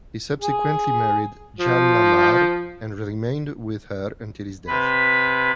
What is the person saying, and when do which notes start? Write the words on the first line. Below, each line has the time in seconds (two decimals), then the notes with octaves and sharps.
He subsequently married Jeanne Lamar and remained with her until his death.
0.42 G#4
1.59 F3
4.67 C3 B4 B5